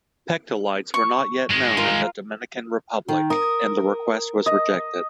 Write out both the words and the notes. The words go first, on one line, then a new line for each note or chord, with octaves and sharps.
Pectolites were not yet known in the Dominican Republic, and the request was rejected.
C#6
D#3 G#3
F4 A#4
D#3
A#4 D#6
D#5